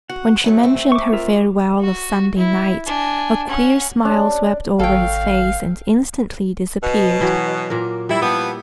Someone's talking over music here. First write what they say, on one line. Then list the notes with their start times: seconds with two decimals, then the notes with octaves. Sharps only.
When she mentioned her farewell of Sunday night, a queer smile swept over his face and instantly disappeared.
0.10 F#4 F#5
0.44 A#2 F#3 A3
0.63 A3 C4
0.92 C#6 D6
1.13 F4 A#4 E5
1.33 G4
1.80 F#4
2.37 E4
2.86 D4 G#5
3.49 C#4 F#5
4.05 D4
4.79 G#1 A4 C#5 F5 G5
6.83 B2
7.21 E3 F#3 F#4
7.70 A#2 A#3 A#4
8.09 G3 E4
8.21 F3 B3 E4 G4